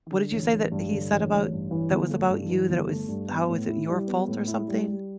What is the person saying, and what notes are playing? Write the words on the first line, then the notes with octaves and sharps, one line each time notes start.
What did you say that he said about that was about you, that it was how was it your fault or something?
D3
A1
A1
G2
D3
A1
A1
G2
E3
G1
A3
G2
E3
G1
A3
G2
B3
A2
E4
G3
B3
A2
E4
G3
G3